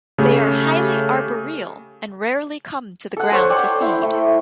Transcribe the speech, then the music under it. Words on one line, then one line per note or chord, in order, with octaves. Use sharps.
They are highly arboreal and rarely come to the ground to feed.
C#3 A3 G4
A4 F#5
A4 C5 C#5
D5 G5
E4
A3